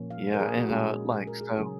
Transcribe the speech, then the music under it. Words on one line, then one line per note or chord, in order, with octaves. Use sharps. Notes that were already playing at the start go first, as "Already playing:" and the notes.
Yeah. And, uh like, so
Already playing: A#2 F3 A#3 C#4
F5
A#4
G#4
F#4
A#2 G#3 C#4 G#4
G#4
A#4
G#4
C#3 F#3 C#4 G#4